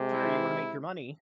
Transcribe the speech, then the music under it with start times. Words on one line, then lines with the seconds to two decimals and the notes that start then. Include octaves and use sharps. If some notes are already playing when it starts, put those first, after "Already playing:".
Sure, you wanna make your money.
Already playing: C3 G#3
0.13 E4